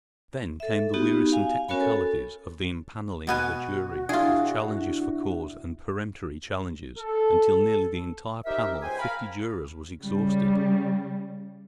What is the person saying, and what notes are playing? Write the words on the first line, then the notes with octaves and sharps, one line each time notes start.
Then came the wearisome technicalities of the empaneling of a jury, with challenges for cause and peremptory challenges, until nearly the entire panel of fifty jurors was exhausted.
A4 E5
B3 D#4 F#4 G4
F5 G#5
C#4 F#4 A#4 C#5 G#5 B5
A4
B2 B3 F#4 G#5
D4 E4 F4 G#4 E5
A4
D#4 G4 A#4 C5 E5
C#2 C5 G5 G#5
A#4 F5 B5
C#3 G3